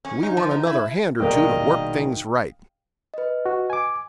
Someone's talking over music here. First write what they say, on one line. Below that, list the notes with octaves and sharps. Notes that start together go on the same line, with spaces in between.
We want another hand or two to work things right.'
C#4
D#4
F3
D#4
E4
A#1 B2 D#3 G3 A#4 D#5 F5 G5
B4 D#5
F#4
G#5 D6